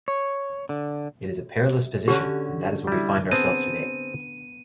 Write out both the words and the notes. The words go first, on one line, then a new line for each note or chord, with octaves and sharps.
It is a perilous position, and that is where we find ourselves today.
C#5
D3
D3 C#4 F#4 G4
G3 E4
B3 C4 G#4 A5 D#7